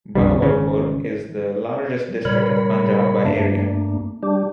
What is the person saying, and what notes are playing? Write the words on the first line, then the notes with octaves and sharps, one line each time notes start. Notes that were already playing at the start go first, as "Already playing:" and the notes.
Bahawalpur is the largest district of Punjab by area.
A#1 F2 D3 G3
G#1 C#3
A#2 C#3 G3 A#4 C#5 B5
G2 A3 A#3 D4
G3 D4 G4